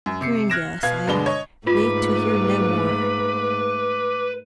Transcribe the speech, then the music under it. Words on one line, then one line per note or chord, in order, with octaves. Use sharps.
Hearing this, I wait to hear no more.
F#2
C3 C7 C#7
F6 F#6 G#6 A#6 D7 E7
B2 F5 G#6
G2 B2 D3 G#3 D4 G7
C#5 D#5
G#2 A3 A#3 F4 B4 D6